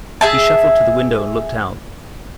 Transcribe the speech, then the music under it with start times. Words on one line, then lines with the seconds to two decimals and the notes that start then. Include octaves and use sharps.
He shuffled to the window and looked out.
0.21 G#4 E5 A5